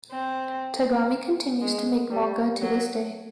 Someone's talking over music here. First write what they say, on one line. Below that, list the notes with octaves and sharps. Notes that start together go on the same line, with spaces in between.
Tagami continues to make manga to this day.
C4
G#3
G3
F#3